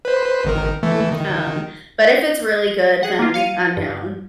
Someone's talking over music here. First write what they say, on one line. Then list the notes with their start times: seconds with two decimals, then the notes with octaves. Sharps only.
Um, but if it's really good, then I'm down.
0.05 B4 C5
0.44 G#1 D#3 A#4
0.83 E3 A3
1.12 D#3
3.03 G#4 F#5
3.19 A#3 F4
3.34 F5 C#7 D#7
3.77 G2